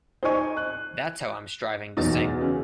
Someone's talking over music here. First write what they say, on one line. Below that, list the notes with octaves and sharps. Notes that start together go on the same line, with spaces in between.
That's how I'm striving to sing.
D#4 C5 D5 G#5 C#6
F#6
B1 E2 D#4 A6
C#3